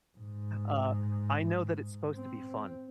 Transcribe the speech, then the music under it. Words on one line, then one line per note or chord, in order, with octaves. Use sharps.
uh, I know that it's supposed to be fun,
G#2
C4